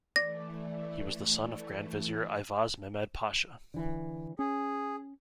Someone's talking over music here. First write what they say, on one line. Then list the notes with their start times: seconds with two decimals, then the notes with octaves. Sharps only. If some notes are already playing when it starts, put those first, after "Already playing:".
He was the son of Grand Vizier Ivaz Mehmed Pasha.
0.16 E3 A3 D5 A#6
3.74 D3 E3
4.39 C#4 G#4